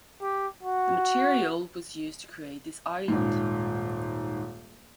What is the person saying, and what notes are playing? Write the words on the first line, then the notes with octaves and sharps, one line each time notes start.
The material was used to create this island.
G4
F#4
D#1 G#2